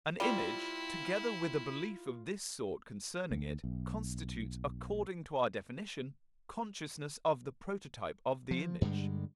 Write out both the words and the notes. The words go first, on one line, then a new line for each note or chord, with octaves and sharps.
An image, together with a belief of this sort concerning it, constitutes, according to our definition, consciousness of the prototype of the image.
G3 C4 E4 F4
D2
B1
F3
G2 D3 G3 G#3